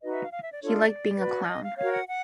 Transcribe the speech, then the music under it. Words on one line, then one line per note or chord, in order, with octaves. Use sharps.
He liked being a clown.
D#4 F#4 B4 D#5
E5
F5
F5
E5
D5
D4 F4 A4 C#5
D5
F#4 B4
D#5
F5
F#4 A#4 C#5 F5
F#5
F#5